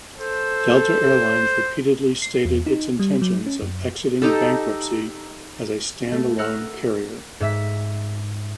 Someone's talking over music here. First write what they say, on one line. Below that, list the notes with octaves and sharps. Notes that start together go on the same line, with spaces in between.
Delta Air Lines repeatedly stated its intentions of exiting bankruptcy as a stand-alone carrier.
A4 C5
C7
E2
D#4
G3
F#3
C#4
F#2
D#4 G4 A4
A3
A#4 F#5 E6 F6
G#2 E5 B6